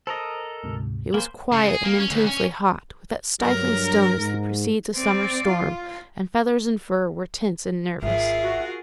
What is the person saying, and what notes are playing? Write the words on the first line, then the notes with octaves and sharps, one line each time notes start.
It was quiet and intensely hot, with that stifling stillness that precedes a summer storm, and feathers and fur were tense and nervous.
A4 A#4 C5 D#5
D2 G#2 C3
A#3 C5 G#5 A#5 B5
C#3
G#4
A#3
C#4
D2
C#4
G2 F#3 A#4
G#2
C4 D5
F4
G#1 F4 G#4 A#4 E5
F#4